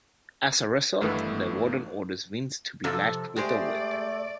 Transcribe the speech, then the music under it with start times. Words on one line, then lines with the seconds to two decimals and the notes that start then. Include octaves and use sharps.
As a result, the warden orders Vince to be lashed with a whip.
1.01 G1 G2 D#3 E3 A3 B3
2.84 F2 C3 A4
3.36 G#3 A3 G4 C5 D5